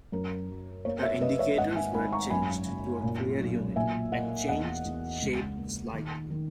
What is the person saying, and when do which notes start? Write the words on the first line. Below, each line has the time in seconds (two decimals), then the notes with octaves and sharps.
The indicators were changed to a clear unit, and changed shape slightly.
0.12 F#2 A#4
0.48 F#3
0.85 A#3 A#4 C#5
1.03 C#5 E5
1.21 A#3 B4 D#5
1.39 C#5 E5
1.57 G#1 D#5 F#5
1.76 E5 G#5
1.94 G#1 G#5 B5
2.12 A#5 C#6
2.30 F#2 G#5 B5
2.67 F#1
3.03 A#2
3.40 B1
3.76 A#2 E5 G#5
4.12 A#3 D#5 F#5
4.49 E2 D#5 F#5
4.85 E2
5.22 C#2
5.57 A#3
5.93 D#3
6.30 D#3